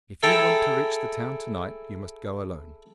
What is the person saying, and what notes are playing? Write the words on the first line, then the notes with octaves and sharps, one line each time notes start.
'If you want to reach the town to-night you must go alone.
E4 G#4 A4 G5 A5 A#5